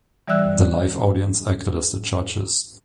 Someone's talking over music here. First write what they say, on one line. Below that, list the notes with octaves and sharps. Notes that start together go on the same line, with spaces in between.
The live audience acted as the judges.
E3 G3 D5 E5 E6 F#6